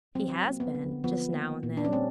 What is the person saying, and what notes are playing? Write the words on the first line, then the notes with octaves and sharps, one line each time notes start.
'He has been--just now an' then.'
F#3 C4
A#3
B3
D3
F3 B3
A#3
A#2
D4
C#4
G3 C4